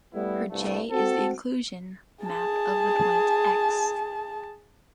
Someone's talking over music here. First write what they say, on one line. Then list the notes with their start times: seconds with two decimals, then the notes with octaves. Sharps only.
Here "j" is the inclusion map of the point "x".
0.13 G3 A3 B3 E4
0.51 C2 G2 A3
0.91 C4 F#4 A4
2.25 G#4 A5